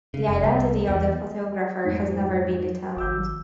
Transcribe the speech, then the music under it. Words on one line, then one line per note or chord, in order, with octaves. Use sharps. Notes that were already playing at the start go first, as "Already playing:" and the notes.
The identity of the photographer has never been determined.
C#3
F1
C2
E2
F2 G#2
G#1 D6 E6 G6